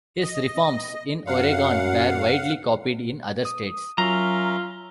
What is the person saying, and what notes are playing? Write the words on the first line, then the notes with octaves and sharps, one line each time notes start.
His reforms in Oregon were widely copied in other states.
D#5
F#2 F5 F#5
D#6
F#3 C#4 F4 A#4 E5 A#5